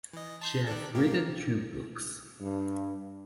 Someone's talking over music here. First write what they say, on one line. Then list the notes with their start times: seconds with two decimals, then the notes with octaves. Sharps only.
She has written two books.
0.13 E3 D#5
0.41 A5 C6 G6
0.67 D#3 D4 A4
0.95 A2 C3 A#3 G4
2.40 G2